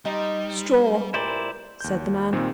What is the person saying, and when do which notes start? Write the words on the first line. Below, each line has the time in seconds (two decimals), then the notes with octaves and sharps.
"Straw," said the man.
0.05 G3 D#4 G4 C5
1.14 A#2 E4 G4 C5 D5
1.81 D#2 G6
2.33 A#2 D#3 C4